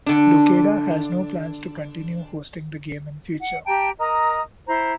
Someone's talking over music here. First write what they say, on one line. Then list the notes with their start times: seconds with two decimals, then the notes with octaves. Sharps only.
Dokeda has no plans to continue hosting the game in future.
0.06 D3 D4
3.40 F#5
3.67 G4 G5 A5 A#5
3.99 A#4 D#5 A#5 D#6
4.68 E4 C5 A#5